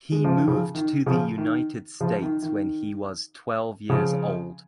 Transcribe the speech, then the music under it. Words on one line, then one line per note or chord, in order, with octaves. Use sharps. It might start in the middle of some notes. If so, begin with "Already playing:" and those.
He moved to the United States when he was twelve years old.
G#3
F3
D#3
C#3 F3
D#3
C#3 F3
D#3
C#3 F3
D#3
D#3
C#3 F3